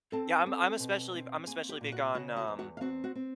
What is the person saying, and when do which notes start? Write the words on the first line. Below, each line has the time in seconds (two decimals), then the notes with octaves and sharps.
Yeah, I'm I'm especially I'm especially big on, um
0.12 C4 A4 A5
0.46 C4
0.80 B2
1.14 C4
1.46 A#3 G#4 G#5
1.69 G4 G5
1.81 A#2
1.92 F#4 F#5
2.14 C#3 F#4 F#5
2.36 F#4 F#5
2.48 E2
2.59 F#4 F#5
2.77 F5
2.81 C4 F#4 F#5
3.04 F#4 F#5
3.15 C4